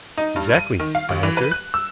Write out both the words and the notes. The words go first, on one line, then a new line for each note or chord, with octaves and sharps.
"Exactly," I answered.
D#4
G2
D#7
D#3
F5
D#2
E3
B4
F#6
E6